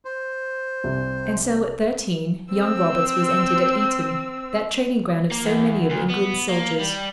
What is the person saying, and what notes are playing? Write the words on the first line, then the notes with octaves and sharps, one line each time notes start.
And so at thirteen, young Roberts was entered at Eton, that training ground of so many of England's soldiers.
C5
C2
C4 E6
A#3
E2
D2
B3
A#3
G3